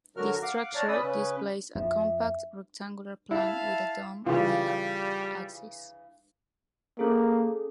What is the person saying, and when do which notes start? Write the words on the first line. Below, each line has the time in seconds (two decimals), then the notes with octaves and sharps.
The structure displays a compact rectangular plan, with a domed mihrab axis.
0.17 D3 F#3 F#4 A#4 F6
0.43 F5 F#5 D6
0.75 C#5 D5 F#5 A5 A#5 F6
0.88 C#4 D5 B5 D#6 E6
1.02 C#3 C#4 B4
1.75 F2 F3 E5
3.31 E4 F5 A5
4.26 C#3 E3 G3 F4
6.99 A#3 C#4 G#4 A4